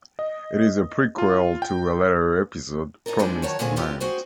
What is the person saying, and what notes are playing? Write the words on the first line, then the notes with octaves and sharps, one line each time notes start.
It is a prequel to a later episode, Promised Land.
D#5
F4
G5
G#2 D#4 A4 A#4
D#2 E3 F3 G3 G#3 D4
D#3 F#3 C#5 A5
A#2 D3 G#3 A3 C4 G#4
C4 E4 F4 G4 B4
F#4 G#4 C5 G5